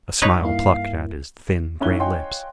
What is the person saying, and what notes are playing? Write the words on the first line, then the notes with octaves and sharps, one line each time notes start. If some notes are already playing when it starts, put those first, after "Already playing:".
A smile plucked at his thin, gray lips.
D#4 B4 C#5
G2 A#3 E4 F5
A1 C#4 D#4 E4 F#6 G7
C#5 D#5 F5 G5 G#5 C6